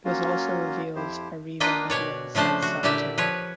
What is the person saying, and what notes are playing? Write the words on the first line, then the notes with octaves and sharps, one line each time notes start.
It was also revealed Arriva Midlands had sacked him.
F#3 A#3 C#4 F4 F#4
F2 F3 E4 G4 C5
A#3 D4 F4 B4 D#5 G5
B2 C#5 D5
C#3 F3 A3 D4 C5
F#4
A#2 D3 E4 G4 D5 E5
F3 B4 C#5